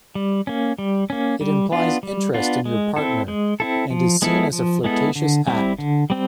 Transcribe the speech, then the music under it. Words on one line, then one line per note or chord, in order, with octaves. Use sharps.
It implies interest in your partner, and is seen as a flirtatious act.
G3
A#3 C#4
G3
A#3 C#4
G3
B3 D4 F4
G3
B3 D4 F4
G#3
C4 E4 A4
G#3
C4 E4 A4
F3
G#3 B3 E4 A4
F3
G#3 B3 E4 A4
D3
G3 C4 E4
D3
G3 C4